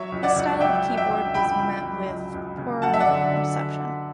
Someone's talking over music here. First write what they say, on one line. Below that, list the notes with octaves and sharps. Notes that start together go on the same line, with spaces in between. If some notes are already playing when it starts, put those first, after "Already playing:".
This style of keyboard was met with poor reception.
Already playing: F#3 C#5 E5
C#2
D5 F#5
C#2
F#3 E5 G5
C#2
E5 G5
C#2
C#2 G5 B5
C#2
F#3
C#2
C#2
C#3
F#3 F#5 A5
E5
D5 F#5
D3